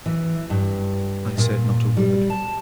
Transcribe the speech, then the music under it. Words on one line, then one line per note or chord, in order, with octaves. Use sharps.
I said not a word.
E3
G2
A#2
G3
A5